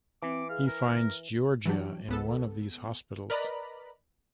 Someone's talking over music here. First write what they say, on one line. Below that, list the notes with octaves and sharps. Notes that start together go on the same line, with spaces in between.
He finds Giorgia in one of these hospitals.
E3 C4 D6
G#4 F5
A#4 A#6
E3 F#3 D4 G4
C#2 B3 A4
A#4 B4 D5 D#5 A#5 B5